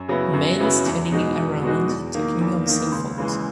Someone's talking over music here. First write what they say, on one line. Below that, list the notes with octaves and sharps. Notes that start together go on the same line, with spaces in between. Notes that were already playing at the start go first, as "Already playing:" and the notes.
Men standing around talking on cellphones.
Already playing: F#2
C#3 F#3 B3 E4
F#2
C#3 F#3 B3 E4
E2
B2 G#3 D#4 F#4
E2
B2 G#3 D#4 F#4
E2
D#3 A#3
E2
D#3 A#3
C#2
C#3 E3 G#3